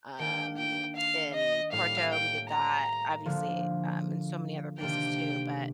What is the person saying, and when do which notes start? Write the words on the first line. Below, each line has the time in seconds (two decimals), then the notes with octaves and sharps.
um, in Porto, we did that, obviously, um, in so many other places too, but
0.19 D#3 A#3 D4 G5
0.57 G5
0.96 F5
1.34 D#5
1.72 A2 G3 A#3 F5
2.11 G5
2.49 A#5
3.25 D3 F3 A#3
4.80 C3 D#3 A#3 D4 G5